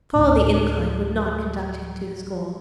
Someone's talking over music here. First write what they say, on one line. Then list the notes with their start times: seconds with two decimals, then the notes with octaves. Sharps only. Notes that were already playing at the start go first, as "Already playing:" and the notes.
To follow the incline would not conduct him to his goal.
0.15 D2 A2